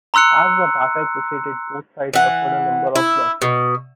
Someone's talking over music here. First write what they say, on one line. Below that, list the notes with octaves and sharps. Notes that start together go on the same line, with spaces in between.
As the battle proceeded, both sides suffered a number of losses.
A#5 C6 E6 F#6 C#7
E3 F#5
E4
B2